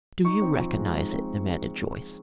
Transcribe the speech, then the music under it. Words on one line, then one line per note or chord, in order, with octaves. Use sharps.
"Do you recognize it?" demanded Joyce.
D#4 C#6
C4
F3
G#3
D#4
C4